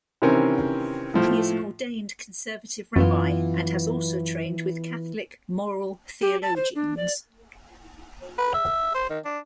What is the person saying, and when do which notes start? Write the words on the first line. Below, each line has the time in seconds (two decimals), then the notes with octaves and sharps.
He is an ordained Conservative rabbi and has also trained with Catholic moral theologians.
0.22 C3 D#3 E3 C4 C#4 A#4
1.14 A2 F3 A3
2.96 F#2 E3 B3 F4
6.21 G4
6.43 A5
6.56 C5
6.75 D4
6.97 D5
8.38 B4
8.54 E5
8.95 C5
9.10 D#3
9.25 D4